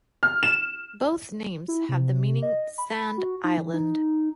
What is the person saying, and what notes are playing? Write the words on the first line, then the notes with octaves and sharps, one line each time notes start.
Both names have the meaning "sand island".
F6
E7
E4
C3
D#5
B5
F#4
D#4
E3
D#4